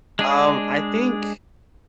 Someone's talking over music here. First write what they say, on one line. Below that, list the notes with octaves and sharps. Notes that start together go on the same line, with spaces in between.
Um, I think
G#3 D4 G#4